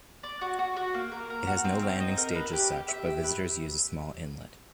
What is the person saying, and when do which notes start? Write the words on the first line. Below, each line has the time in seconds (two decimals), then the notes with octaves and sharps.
It has no landing stage as such, but visitors use a small inlet.
0.23 D5
0.41 F#4
0.59 F#4
0.76 F#4
0.94 A#3
1.12 A#4
1.30 A#4
1.47 F#4
1.65 C4
1.82 C4
2.00 D#4
2.18 A#4
2.35 B4
2.53 G4
2.71 G4
2.88 E5
3.06 G4
3.24 B4